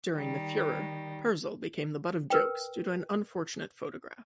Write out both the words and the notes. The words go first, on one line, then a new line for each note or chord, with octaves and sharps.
During the furor, Perzel became the butt of jokes due to an unfortunate photograph.
D#3 G3
A#4 B4 G5